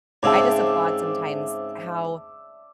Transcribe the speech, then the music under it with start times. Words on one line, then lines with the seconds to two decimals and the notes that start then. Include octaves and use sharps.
I just applaud sometimes how
0.23 G#2 C#3 C4 D5 E5 A5